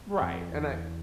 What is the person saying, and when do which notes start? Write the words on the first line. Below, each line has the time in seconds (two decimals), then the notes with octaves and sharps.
Right, and I
0.21 F2
0.50 E2